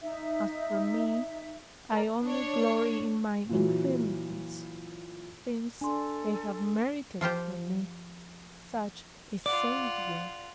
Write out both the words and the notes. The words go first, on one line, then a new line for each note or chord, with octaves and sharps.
As for me, I only glory in my infirmities, since they have merited for me such a Saviour!
D#4 E5
A#4 D5 A#5
D4 C#5
A#2 E3 F#3
D4 A4 G#5 C6
F3 F4 G4 C5
F4 D5 F#5